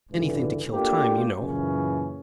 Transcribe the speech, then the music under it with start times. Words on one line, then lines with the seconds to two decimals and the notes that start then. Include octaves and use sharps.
"Anything to kill time, you know."
0.11 G#1 C#2 G2 D3 E3
0.72 A3 A#3 D4 F4 G4
1.41 F#2 A#2 C#3 E3 C#4